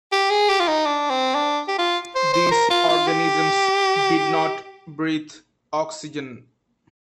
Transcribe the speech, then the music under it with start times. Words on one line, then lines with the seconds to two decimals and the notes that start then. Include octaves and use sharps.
These organisms did not breathe oxygen.
0.12 G4
0.30 G#4
0.49 G4
0.60 F4
0.68 D#4
0.86 D4
1.10 C4
1.35 D4
1.68 G4
1.78 F4
2.15 C5
2.33 C5
2.51 A#4
2.70 F4
2.89 F4
3.07 G4